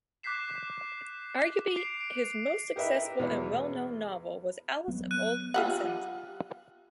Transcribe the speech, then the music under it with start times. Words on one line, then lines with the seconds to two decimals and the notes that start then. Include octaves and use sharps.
Arguably his most successful and well-known novel was "Alice of Old Vincennes".
0.23 D6 F#6 G6 B6 C7 E7
1.77 C7 D7 F7
2.01 D7
2.76 G4 A#4 B4 D#5 E5
3.19 E2 B2 G#3 B4
4.88 F#3 B3
5.11 F#6 D#7
5.54 F4 G4 F#5